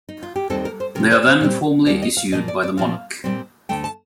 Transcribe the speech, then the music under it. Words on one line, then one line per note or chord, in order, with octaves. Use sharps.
They are then formally issued by the monarch.
D#4
F4
G4
D#2 D#3 G3 C4 A4
A#4
C5
C3 F3 C4 A#4
C5
C5
A#2 G3 C4
D#2 D#3 G3 A#3 D5
D#5
F5
A#2 F3 A#3 D#5
D5
D5
A#2 F3 C4 F5
A#2 G3 C4
D2 D3 A3 G5
A5